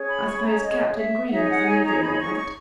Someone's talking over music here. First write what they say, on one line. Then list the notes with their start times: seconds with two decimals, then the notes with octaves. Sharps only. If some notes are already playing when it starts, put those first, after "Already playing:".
"I suppose Captain Green was the leader in all that?"
Already playing: C#4 G#4 C#5
0.09 B5
0.27 C#6
0.37 B5
0.45 A#5
0.63 D#5
0.98 E5
1.28 F#5
1.31 D#4 G#4 C#5 E5
1.44 G#5
1.49 F#5
1.66 G#5
1.85 A#5
2.02 B5
2.19 C#6
2.37 C#6